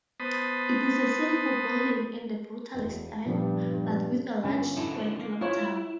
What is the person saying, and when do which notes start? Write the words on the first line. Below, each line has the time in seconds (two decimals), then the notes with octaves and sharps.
It is a simple building in the brutalist style, with a large square clocktower.
0.20 B3 C5 A5 B5 D#6
2.74 E1 F#2
3.26 G2 A#2 F3 B3
3.71 G2
4.44 G2 D3 C#4
4.77 D3 F#3 E4 A4
5.19 A#3
5.41 E4 F4 C#5